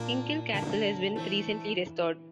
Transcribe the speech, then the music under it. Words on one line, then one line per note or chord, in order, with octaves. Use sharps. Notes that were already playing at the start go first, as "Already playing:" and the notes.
Kinkell Castle has been recently restored.
Already playing: A#2 A#3 D4
D3 A#3 D4
E3 A3 C4